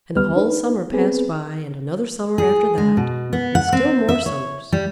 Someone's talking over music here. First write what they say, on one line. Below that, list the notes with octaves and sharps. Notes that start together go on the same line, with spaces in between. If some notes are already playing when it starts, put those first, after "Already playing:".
And the whole summer passed by, and another summer after that, and still more summers.
D2 G3 B3 B4 F6
D4 D#4 B4
B3 C4 G#4 B4
G#4
G#3
B2
B3
F#5
C4
E5
C#5
G3